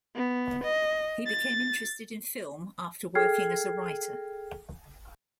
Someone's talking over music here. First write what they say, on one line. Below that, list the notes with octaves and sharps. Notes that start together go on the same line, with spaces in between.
He became interested in film after working as a writer.
B3
D#5
A6
G#4 A4 G5 F6 G#6 C7